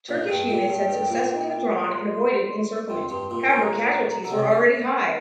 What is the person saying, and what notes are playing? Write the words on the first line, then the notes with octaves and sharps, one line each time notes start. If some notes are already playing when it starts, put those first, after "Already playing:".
Turkish units had successfully withdrawn and avoided encirclement, however casualties were already high.
A#2 F5
G2 G5
A#2
G2
G2
A#2
A#5
C6
F2 C6
G2 C6
A#2 C6
A#2 A#5
D3
C3 D5
D3